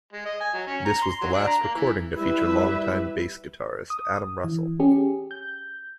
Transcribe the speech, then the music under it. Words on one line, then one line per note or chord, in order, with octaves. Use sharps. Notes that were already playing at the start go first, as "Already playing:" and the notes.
This was the last recording to feature long-time bass guitarist, Adam Russell.
G#3
D#5
G#5
F#3
C#4
A#5
C6
F#3
D4
A#5
A#3
E3
G3 E4 B4 E5
D#6
E3
C#4 G4 G#4
G6